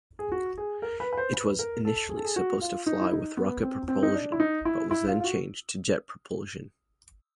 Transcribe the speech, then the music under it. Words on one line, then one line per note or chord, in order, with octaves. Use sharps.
It was initially supposed to fly with rocket propulsion but was then changed to jet propulsion.
G#4
F#4
G#4
A#4
B4
B4
C5
B4
A#4
A4
G#4
A4
G#4
F#4
F4
D#4
E4
D#4
B3
C4
C4
D#4
D4
E4
D#4
E4
E4
F4
F4
F#4